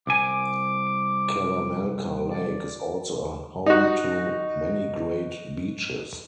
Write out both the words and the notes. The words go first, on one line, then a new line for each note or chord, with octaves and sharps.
Kalamalka Lake is also a home to many great beaches.
C2 G#5 D6
D5
D#4 F#4